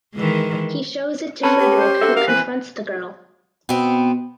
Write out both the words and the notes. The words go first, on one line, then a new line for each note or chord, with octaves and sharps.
He shows it to Frederic who confronts the girl.
D#3 E3 G#3
C4 C#4 A4 B4
G4
C5
D4 F#4 A4 E5
A#4 F5
E3 C4 B4
B2 B3 C4